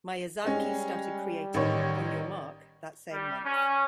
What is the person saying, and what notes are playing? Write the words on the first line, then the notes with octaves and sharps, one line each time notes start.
Miyazaki started creating "On Your Mark" that same month.
G3 G#3 C#4
A1 D#3 C#5
G3
C#4